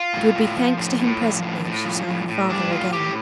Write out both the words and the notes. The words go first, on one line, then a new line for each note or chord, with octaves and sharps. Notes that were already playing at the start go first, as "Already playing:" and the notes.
It would be thanks to him presently if she saw her father again.
Already playing: F4
A2
A2
F3
A2
A2
F3
A2
A2
F3
A2
A2
G3 D4
A2 F4
A2 G4